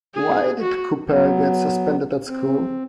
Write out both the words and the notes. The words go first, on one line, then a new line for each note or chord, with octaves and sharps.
Why did Cooper get suspended at school?
G#4
F#4
F#3 B3
C4